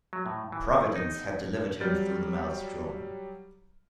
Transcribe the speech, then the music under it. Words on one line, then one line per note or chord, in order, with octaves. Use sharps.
Providence had delivered him through the maelstrom.
F#3
A2
E3
D#4
F#3 G3 F6 G6 A6